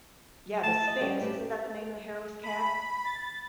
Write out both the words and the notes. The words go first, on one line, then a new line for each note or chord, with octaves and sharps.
Yeah, the Sphinx, isn't that the name of the hairless cat?
A3 A4 A5
D#5
G3 C#4 G5
A3 G4 B4
B5
A6